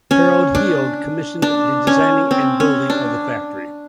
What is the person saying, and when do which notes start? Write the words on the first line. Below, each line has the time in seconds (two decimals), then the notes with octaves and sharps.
Harold Heal commissioned the designing and building of the factory.
0.11 C#4
0.55 D4
1.42 D4
1.87 C#4
2.31 C4
2.60 C#4
2.90 D4